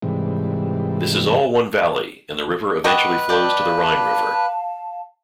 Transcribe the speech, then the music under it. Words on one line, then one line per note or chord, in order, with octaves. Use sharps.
This is all one valley and the river eventually flows to the Rhine river.
G#2 C3 E3 G3
F#4 G4 B4 D#5 F#5 A#5
D5 F5 G5 A5